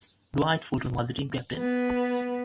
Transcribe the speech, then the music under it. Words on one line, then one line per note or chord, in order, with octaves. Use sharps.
Dwight Fulton was the team captain.
B3